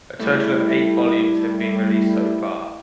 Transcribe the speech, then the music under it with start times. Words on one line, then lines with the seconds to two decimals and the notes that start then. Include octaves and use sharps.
A total of eight volumes have been released so far.
0.19 G3 A3 E4